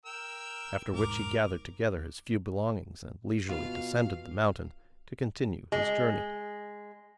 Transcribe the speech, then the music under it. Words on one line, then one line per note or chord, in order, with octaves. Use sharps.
After which he gathered together his few belongings, and leisurely descended the mountain to continue his journey.
A#4 G5 E6
E1 G#2 A#4 D6
B2 F4 F5
G#3